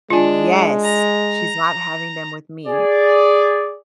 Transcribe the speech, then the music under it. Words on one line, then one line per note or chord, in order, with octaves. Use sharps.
Yes. She's not having them with me.
G#3 D4 F4 G#5
A#5
G#4 D5